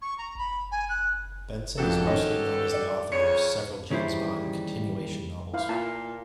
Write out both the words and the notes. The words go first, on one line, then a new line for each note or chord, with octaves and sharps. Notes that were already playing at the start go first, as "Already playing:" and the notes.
Benson is mostly known as the author of several James Bond continuation novels.
C#6
A#5
B5
G#5
F#6
F2 C#3 F#3 F#4 G4 A4
D#3 C#4 D#5
D5
F2 C#3 C#5 C#7
D#2 C#3 E3 G3 E4 C5
E4 F5
A#2 A5